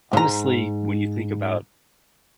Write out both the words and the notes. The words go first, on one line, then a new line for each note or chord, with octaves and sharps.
honestly, when you think about
G#2 A#5